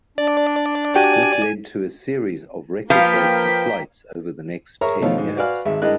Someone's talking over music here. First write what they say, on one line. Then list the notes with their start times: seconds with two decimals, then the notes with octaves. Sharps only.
This led to a series of record-breaking flights over the next ten years.
0.18 D4 D5
0.96 F#4 G4 G5 G#5
2.90 F3 A#3 B4 F5 G5 B6
4.81 G#4 A#4 C#5 E5 A#5 C#6
5.02 B2 D#3 F3 A3 C#5 F5
5.18 G#2
5.37 F#4 B4 D5 F5 G#5 F6
5.65 G#1 G#3 E5
5.82 G2 G#3 E4 A#4 D#5 F#6